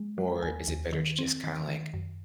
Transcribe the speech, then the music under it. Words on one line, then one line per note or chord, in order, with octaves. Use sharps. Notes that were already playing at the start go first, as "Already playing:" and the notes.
or is it better to just kinda, like,
Already playing: G#3
F3
D#2 G#5
D#2
D#3
C4
D#3
D#3
F#2